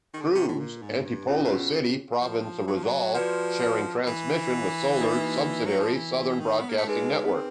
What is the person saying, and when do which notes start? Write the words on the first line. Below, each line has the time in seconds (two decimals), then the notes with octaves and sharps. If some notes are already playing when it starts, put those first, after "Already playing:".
Cruz, Antipolo City province of Rizal, sharing transmission with Solar's subsidiary, Southern Broadcasting Network.
0.14 D#3
0.21 D3
0.29 C#3
0.35 C3
0.48 A2
0.59 A#2
0.82 G#2
1.05 G2
1.28 B2 C#4 F4 G#4
1.36 A#2
1.44 B2
2.21 F3
2.67 F#3
2.76 F3
2.84 F#3
3.14 F3 F#4 B4 D5
4.07 E3
5.01 A#3 D#4 F#4 B4 E5
5.66 F#3
5.80 F3
5.95 E3
6.40 D#3
6.60 B3
6.69 A#3
6.77 A3
6.87 G#3 D#4 G#4 B4
7.24 B3
7.34 C4